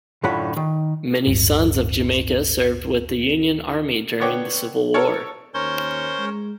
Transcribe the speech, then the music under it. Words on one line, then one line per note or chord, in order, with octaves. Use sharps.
Many sons of Jamaica served with the Union Army during the Civil War.
F#2 A2 D3 F4 F#5 B5
D#3
D1 G1
D3 B3 C#5 G5 D6
A4 A#4 C#5
D#2 C#4 A#4 C5 C#5 C6
G#3